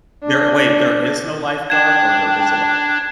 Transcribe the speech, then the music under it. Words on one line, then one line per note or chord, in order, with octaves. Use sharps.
There wait, there is no lifeguard or there is a li
D4
D4 G5 G#6 E7